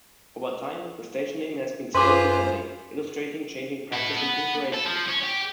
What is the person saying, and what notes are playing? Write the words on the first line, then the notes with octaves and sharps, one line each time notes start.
Over time, the station name has been spelt differently, illustrating changing practice in punctuation.
F#2 F4 G#4 B4 C5 C6 D6
E4 A4
B3
A4
F3
C#4
G4